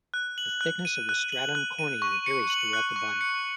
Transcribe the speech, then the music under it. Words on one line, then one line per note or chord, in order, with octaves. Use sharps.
The thickness of the "stratum corneum" varies throughout the body.
F#6
F#7
F#6
D#7
F#6
F#7
F#6
D#7
C#6
C#7
F#7
F#6
C#6
C#7